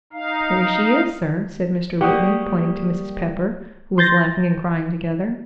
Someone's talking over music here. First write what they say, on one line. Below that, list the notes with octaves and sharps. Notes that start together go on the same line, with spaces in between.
"There she is, sir," said Mr. Whitney, pointing to Mrs. Pepper, who was laughing and crying together.
D#4 F5
G3 A#3 G4 G#4 F#5 G5 C#6 D#6
C6 G6 A6 A#6